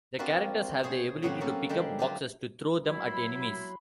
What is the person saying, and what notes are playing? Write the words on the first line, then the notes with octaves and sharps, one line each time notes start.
The characters have the ability to pick up boxes to throw them at enemies.
C4 D4 F4 F#4 A#4 B4
B2 G#4 C5 C#5
A2 C#3 F#3 C4 F#4 G4
A#3 B3 C#4 F#4 A4 A#4
D3 G3 G#3 D4 G5
F#3 F4 G4
F#3 E4 B5 C6